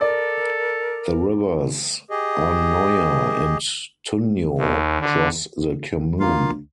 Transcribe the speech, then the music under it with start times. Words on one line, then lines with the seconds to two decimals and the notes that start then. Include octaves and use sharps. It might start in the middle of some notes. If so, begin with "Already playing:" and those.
The rivers Arnoia and Tuño cross the commune.
0.01 A4 A#4 D5
2.10 G4 G#4 D#5
4.58 D#2
5.00 D3
6.20 D2 A#3 F4 F5